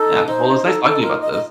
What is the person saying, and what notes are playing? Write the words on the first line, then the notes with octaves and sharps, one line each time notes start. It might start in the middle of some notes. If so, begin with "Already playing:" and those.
Yeah, well, it's nice talking about this.
Already playing: D#4 A4
D#4 C5
D#4 A4
A4
D#4
F4 A#4
D#5
D#5